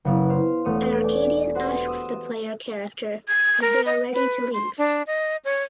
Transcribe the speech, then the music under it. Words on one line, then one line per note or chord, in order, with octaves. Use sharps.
An Arcadian asks the player character if they are ready to leave.
F#1 C#3 B3 E4
C5 F5
E1 A3 B3 C#5 D#6 F6
D5 G#5 A5 D6
B3 F#4 G4 B4 C5
D#6 E6
G#6
A#4
D#5
B4
C6
D4
D#5
C#5